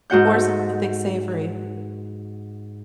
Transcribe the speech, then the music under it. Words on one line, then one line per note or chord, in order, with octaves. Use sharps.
or something savory.
G#2 F#4 F#5 G6